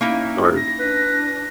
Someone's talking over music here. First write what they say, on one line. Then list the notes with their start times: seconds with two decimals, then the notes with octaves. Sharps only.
are g
0.01 A#3 C#4 D#4 E4
0.56 A#6
0.79 D4 B4